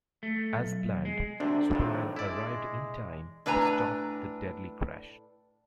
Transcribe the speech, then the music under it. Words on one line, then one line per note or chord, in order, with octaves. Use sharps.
As planned, Superman arrived in time to stop the deadly crash.
A3
B1
G#3
D2 C3 D4
G#1 F2 A2 C3
G#3 E4 D5
A2 D4 B4 G#5 A#5